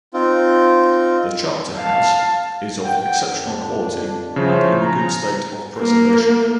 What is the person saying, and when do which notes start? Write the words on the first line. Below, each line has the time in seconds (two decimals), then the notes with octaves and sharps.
The chapter house is of exceptional quality and in a good state of preservation.
0.14 C4 D#4 F4
1.76 F5 A5
2.85 F#5 G5
3.32 F2 D4
4.36 C#3 F3 E4 C5 C#5
4.81 A#5
5.79 A#3